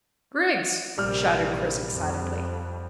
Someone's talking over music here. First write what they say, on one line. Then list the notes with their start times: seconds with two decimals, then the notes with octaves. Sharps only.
"Griggs!" shouted Chris excitedly.
0.98 A#1 C3 G3 F6
1.93 F2